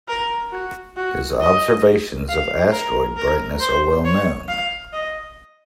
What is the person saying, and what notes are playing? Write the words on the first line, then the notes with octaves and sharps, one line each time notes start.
His observations of asteroid brightness are well known.
A#4
F#4
F#4
D#5
F5
A#4
A#4
C5
C#5
F5
D#5